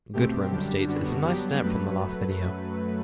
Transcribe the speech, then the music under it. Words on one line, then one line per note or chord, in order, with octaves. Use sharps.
Goodrem states It's a nice step from the last video.
B2 A3 C4 G4
F#2 D3 G3 D4 G4
F#2 D3 G3 B3 D4 F#4
G2 F#3 B3 D4 G4
F#2 F#3 A3 B4